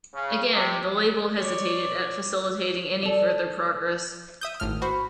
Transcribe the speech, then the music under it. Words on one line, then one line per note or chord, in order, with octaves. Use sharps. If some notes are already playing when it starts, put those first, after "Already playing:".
Again, the label hesitated at facilitating any further progress.
C#3
C3
C#5 D5
A4 D5
E5 D#6 G6
G#1 A2 F6
F#4 C5 B5